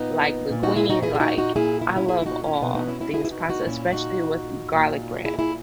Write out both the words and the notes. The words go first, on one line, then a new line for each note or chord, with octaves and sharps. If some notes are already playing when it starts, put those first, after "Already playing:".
like, linguine. Like, I love all things pasta, especially with garlic bread.
Already playing: A#2 B3 D#4
A#2
D#4 F#4
E4 G#4
D#4 F#4
E4 G#4
G#4
D#4 F#4
D#4 F#4
A#2 E4 G#4
E4
F#4
C#4 E4
E4 G#4
E4
D#4 F#4
C#4 E4
B2 B3 D#4
B3 D#4
C#4 E4
C#4 E4
E4 G#4
E4
D#4 F#4
D#4 F#4
A#2 C#4 E4
D#4 F#4
A#2
E4 G#4
E4 G#4